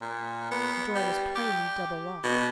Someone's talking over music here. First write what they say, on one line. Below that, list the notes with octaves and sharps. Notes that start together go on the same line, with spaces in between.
The door was plainly double-locked.
A#2
B3
G3
G4
B2